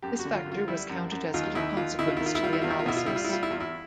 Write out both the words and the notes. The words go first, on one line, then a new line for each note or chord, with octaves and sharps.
This factor was counted as little consequence to the analysis.
F#2 G4
F#4
D3
F4
F#2
F4
G3 E4
F#2
F#2
D#2 F4
D#2 E4
D#2 F4
D#2 E4
F4
D#3 E4
F4
E4
G3 F4
E4
E2 F4
E4
F4
B2 E4
F4
G3 E4
F4
E4
G3 F4
E4
E2 F4
E4